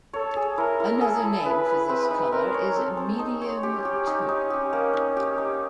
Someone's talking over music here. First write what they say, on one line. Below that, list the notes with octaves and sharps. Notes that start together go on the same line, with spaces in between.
Another name for this color is medium taupe.
A4 C#5
G#4
E4 A#4
E4
G#4 A4
E4
E4 B4
E4
C4 B4
D#4
C4 A#4
C#5
C4 A4
C4
D#4
C#5
C#4 G4
G4
D#4
D#4
G4
A#3
D#4
G4
D#4